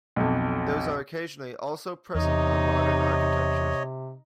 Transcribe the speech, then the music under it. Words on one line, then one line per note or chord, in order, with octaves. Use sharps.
Those are occasionally also present on modern architectures.
B1 F2
E2 C3 D#4 C#5 D#5